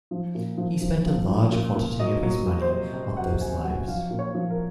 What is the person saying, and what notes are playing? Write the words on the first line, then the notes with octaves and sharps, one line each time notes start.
He spent a large quantity of his money on those lives.
F3
A#2
F3
F3
F3
F3
A#2
A#2
F#3 D#5
F#3
F#3
C5
C3
C3
F#3 F#5
C3 G#5
F#3 F#5
F3 F5
A#2
C#5
F3
A#4